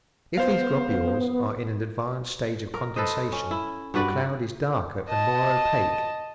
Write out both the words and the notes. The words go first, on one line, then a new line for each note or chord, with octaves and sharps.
If these globules are in an advanced stage of condensation the cloud is darker and more opaque.
B3 C5 F5
A#4
A4 B4 C5 D#5
C#4
E4
G2 F#4 B4 D5
D#5 A5